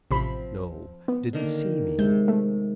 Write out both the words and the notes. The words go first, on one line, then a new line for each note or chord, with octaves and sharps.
No. Didn't see me.
A1 C3 F3 C4 B5
B3
D3 D#3 A#3
C3 G#3 G6
A3